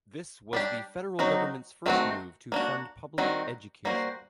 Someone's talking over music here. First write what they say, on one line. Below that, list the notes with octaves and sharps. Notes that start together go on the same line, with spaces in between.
This was the federal government's first move to fund public education.
G3 D4 G4
F#3 C4 D#4 F#4
D#3 A3 C4 F#4
A#3 D4 F#4
D#3 G3 C4 F#4
G3 A#3 F#4 C5